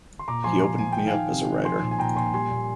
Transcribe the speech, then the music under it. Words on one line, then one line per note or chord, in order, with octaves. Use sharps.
He opened me up as a writer.
C6
A#2 A#5 D6
F3 G#5 C6
F3 G#5 C6
F3 G#5
D#3 G5
F5 G#5
D#3
C3
D#3
F3 G#5 C6
A#2
G#5
A#2 G5 A#5
A#2 G#5 C6
G3 G#5 C6
A#2